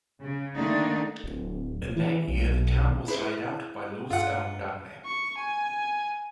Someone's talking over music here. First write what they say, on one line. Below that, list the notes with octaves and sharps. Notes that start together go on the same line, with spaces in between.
In that year the town was laid out by Lewis L. Dunlap.
C#3
D3 D#3 A3 A#3 D4 D#4
D1
E3
B1
E4 G#4 B4 C5
G2 F4 F#5
C#6
G#5